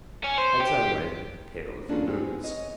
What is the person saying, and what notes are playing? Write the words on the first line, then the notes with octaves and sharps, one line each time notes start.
Heads I win tails you lose.
C#4
C5
G4
A#3 C#4 D4 F4 G#4 A4
B3 C4 G4 G#4
G#4 C#5 D#5